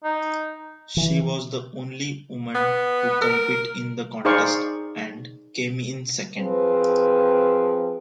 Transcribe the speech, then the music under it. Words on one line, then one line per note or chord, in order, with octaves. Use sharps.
She was the only woman to compete in the contest and came in second.
D#4
E3
B3
A#4
D#4 G#4 C5 D5 F5 C#6
F3 C4 G#4 B4